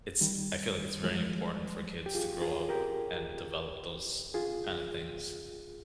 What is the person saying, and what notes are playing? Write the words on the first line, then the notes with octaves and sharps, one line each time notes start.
it's I feel like it's very important for kids to grow up and develop those kinda things.
D#3 G3
F3 G#3
G4
F4 G#4
F4 G#4
G4 A#4
F4 G#4